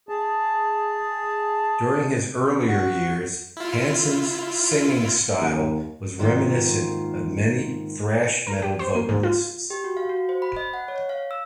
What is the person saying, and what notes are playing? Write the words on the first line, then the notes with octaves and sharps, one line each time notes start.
During his earlier years Hansen's singing style was reminiscent of many thrash metal vocalists.
G#4 A5
F#4
E4 F4
D#2
G#2 D#3 A#3 F4
A#4
G4
C5
A#3
G#2
F4
G4
F#4
F5
F#4
C5
B5
D#5
F#5
C#5
F5
E6